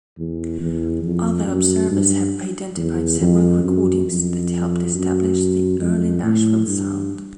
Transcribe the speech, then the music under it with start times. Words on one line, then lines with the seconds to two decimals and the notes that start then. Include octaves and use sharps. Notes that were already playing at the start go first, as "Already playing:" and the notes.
Other observers have identified several recordings that helped establish the early Nashville sound.
0.19 E2
0.61 E2
1.04 F2
1.47 F#2
1.91 G2
2.78 E2
3.21 F2
3.64 F#2
4.07 F2
4.94 F#2
5.80 F2
6.23 A2
6.67 G2